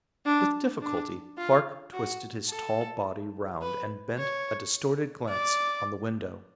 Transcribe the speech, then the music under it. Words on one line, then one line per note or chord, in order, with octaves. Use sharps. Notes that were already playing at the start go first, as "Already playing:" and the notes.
With difficulty Clark twisted his tall body round and bent a distorted glance on the window.
D4
D4
F4
F#4
A4
B4
C#5
D5